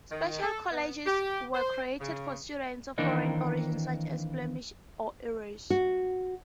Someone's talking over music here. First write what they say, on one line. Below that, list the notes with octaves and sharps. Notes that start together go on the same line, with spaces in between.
Special colleges were created for students of foreign origin, such as Flemish or Irish.
D#3
A4
B3
G4
C5
C#3
D#3 E3 A#3 C4 D4 D#4
F#4